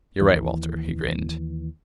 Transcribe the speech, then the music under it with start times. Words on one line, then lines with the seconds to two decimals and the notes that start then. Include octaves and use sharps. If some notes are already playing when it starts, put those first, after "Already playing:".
"You're right, Walter," he grinned.
0.21 D#2 E3